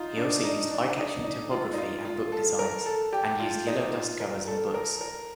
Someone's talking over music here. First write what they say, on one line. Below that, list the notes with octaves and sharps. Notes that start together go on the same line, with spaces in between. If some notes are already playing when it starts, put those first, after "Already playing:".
He also used eye-catching typography and book designs, and used yellow dust-covers on books.
Already playing: D#4 F4
D4
D#4
D4
D#4
D#4
F4
D#4
F4
F4
A4
A#4
A4
G4
F4
D#4
F4
A#4
A4
A#4
A#4